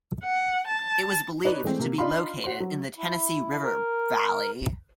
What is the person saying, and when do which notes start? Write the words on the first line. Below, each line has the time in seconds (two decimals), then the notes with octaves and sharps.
It was believed to be located in the Tennessee River Valley.
0.24 F#5
0.68 A5
1.44 D#4 B4 C#5 D5
1.64 E3 G#3 A3 C4
1.80 C3 A#3
1.98 D4 D#4 F4 F5 B5 C6
2.44 F#4 C5 C6
2.60 F#3
2.98 E4
3.63 A#4